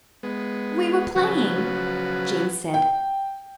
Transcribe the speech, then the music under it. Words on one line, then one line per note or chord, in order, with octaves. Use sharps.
"We were playing," Jean said.
G#3 B3
C#3 F3 F#3 F#4 B4
G5